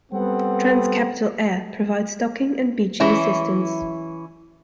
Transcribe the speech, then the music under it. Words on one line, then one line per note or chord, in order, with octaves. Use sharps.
Trans-Capital Air provides docking and beaching assistance.
G3 B3 C4 A4 B4 F#5
E3 C#4 E4